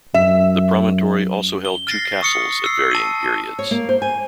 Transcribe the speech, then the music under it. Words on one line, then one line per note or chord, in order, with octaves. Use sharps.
The promontory also held two castles, at varying periods.
F#2 E5
G7
F6 A6 A#6 C7
C#6 D#6 F6 C#7
E6 F6 C7
A5 D#7
C#5
A#3
C5
G#5